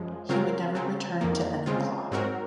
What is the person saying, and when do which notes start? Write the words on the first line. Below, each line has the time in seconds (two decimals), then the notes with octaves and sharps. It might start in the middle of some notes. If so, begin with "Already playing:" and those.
He would never return to Enumclaw.
Already playing: F#2 F3 G#3
0.29 C#3 F#3 C4 F4 A#4
0.75 C#3 F#3 C4
1.21 F2 D#3 A#3
1.66 C#3 G#3 C4 F4
2.11 G#2 F#3 C4 F#4 A#4